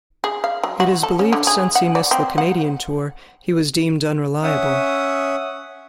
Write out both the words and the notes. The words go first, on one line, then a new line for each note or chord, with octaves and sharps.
It is believed since he missed the Canadian tour, he was deemed unreliable.
G#4
F5
F#3
F#4
A4
C#4
D3
G#4
F#5
D5
C4
F#5
C#4 E5 F#5 D#6